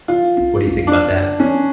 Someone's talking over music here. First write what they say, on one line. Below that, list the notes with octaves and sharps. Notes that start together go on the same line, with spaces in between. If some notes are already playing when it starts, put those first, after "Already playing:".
What do you think about that?
F4
D4
C#4